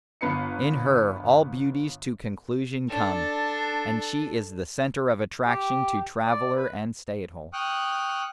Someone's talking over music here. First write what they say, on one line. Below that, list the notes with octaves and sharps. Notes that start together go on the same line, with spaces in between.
In her all beauties to conclusion come, and she is the centre of attraction to traveller and stay-at-home.
G1 B3 B4 C7 C#7
D4 A4
G4
D5
B4
G5 C#6 D#6 F6 F#6